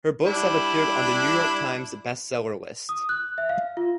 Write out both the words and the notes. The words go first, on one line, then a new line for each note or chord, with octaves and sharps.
Her books have appeared on the "New York Times" Best Seller list.
G3 D4 E4
D#6
F#6
E5
F5
F4